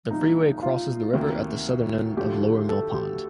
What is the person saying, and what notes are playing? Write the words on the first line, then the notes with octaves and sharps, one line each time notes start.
The freeway crosses the river at the southern end of Lower Mill Pond.
C2 A#2 F3 D#4
F4
D2 C3 D#3 A#3
D2 D3 F3 A3 G4
A4
G4